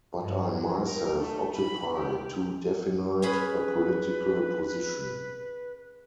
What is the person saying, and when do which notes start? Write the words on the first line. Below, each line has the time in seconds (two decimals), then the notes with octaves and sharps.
But I myself occupy too definite a political position.
0.23 G2
0.52 F#3
0.86 A#4
1.20 A3
1.55 B5
1.96 G4
3.22 C#4 G#4 B4 B5